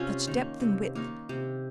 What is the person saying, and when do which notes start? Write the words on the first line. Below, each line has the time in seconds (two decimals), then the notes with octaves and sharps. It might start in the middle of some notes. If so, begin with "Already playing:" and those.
Such depth and width!
Already playing: C3 C#4 F4
0.27 D#3 A#3
0.61 C3
0.95 D#3 A#3
1.29 C3